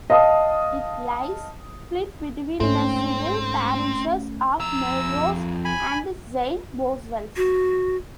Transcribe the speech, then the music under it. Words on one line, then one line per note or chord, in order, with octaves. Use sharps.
It lies split between the civil parishes of Melrose and Saint Boswells.
D#5 F5 A5 D#6
G#2 A3 C4 C#4
F2 A#5 E6
G#5 B5
F#4